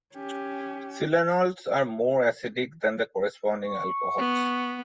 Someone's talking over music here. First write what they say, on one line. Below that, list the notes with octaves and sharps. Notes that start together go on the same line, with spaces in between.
Silanols are more acidic than the corresponding alcohols.
C#4 G4
C#6
B3